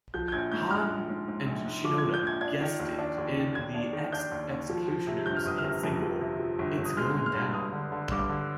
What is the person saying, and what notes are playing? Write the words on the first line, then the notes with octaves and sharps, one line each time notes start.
Hahn and Shinoda guested in The X-Ecutioners' hit single "It's Goin' Down".
F3 G6
G6
A#1 G#6
G#2 G6
A#1 F6
A#1
G#2
G#2
A#1
G#2
F3 D6
G#6
F3
G6
A#1 G#6
D4 G#6
D#3
D#2
D4
D#2
D#3
D#2 G#6
D4
D#3
D4 G6
D#2
D#2
F3
F3
C3
G1 G6
F6
G1 D#6
F6
C3
F2
F3
C3
F3
G1
G1
D#6
G#3 F6
G#3
F6
G2
G2 D#6
D3
D3
G2 D6
D3